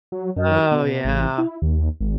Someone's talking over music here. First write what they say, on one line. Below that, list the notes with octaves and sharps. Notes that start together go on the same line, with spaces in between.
Oh, yeah.
F#3
F#2
B2
A1
E4
D#2
G#1